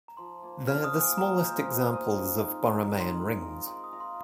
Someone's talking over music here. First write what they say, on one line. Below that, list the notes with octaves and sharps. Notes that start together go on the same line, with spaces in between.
They are the smallest examples of Borromean rings.
A#5
F3 C6
A#3 F4
F3 F6
D#6
A#3 F4
G#5
G#3 A#5
F4 C5 D#5
G#3
F4 C5 D#5
D#3
C4 D#4
D#3 A#5
A#5
C4 D#4
C6
G#3
F4 A#4 D#5
G#3 C6
D#6
F4 A#4 D#5
C6